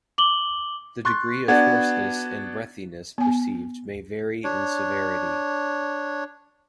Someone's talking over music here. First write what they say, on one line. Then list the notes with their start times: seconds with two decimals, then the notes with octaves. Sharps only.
The degree of hoarseness and breathiness perceived may vary in severity.
0.18 D6 F#7 G7
1.05 C6 C#6 F#6 A6
1.48 B3 D4 F#4 G#6 A6
3.18 B3 G#5
4.44 D4 C#5